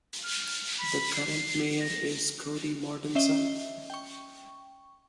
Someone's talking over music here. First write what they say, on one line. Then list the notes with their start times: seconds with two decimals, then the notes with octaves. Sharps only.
The current mayor is Cody Mortensen.
0.24 F6
0.79 B5
1.13 C7
1.80 A#6
3.15 C#4 D#5 E5 C7 G7
3.90 G5 C#6